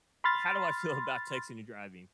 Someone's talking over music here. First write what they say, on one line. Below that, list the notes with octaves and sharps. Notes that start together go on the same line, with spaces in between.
how do I feel about texting and driving?
B5 C6 F6 A6